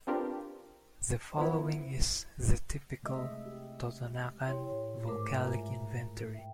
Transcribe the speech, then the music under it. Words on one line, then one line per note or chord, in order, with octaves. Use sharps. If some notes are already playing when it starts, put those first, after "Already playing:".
The following is the "typical" Totonacan vocalic inventory.
C4 D4 F4 G4 A#4 B4
F3 B3 E4
C3 G#3 A3 D#5 E5
G4
E4 G4 C#5 G5 C6
A2
G#2 G#3 A3 A#4 C5 D6
F4 E5 G#5 A#5
E5 G5